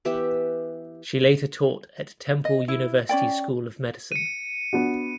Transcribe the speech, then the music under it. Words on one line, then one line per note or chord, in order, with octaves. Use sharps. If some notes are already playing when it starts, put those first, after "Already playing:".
She later taught at Temple University School of Medicine.
E3 B3 G4 E5
D#5
E4
C#4 F4 D5 G5
C#7 D#7
B3 D4 F#4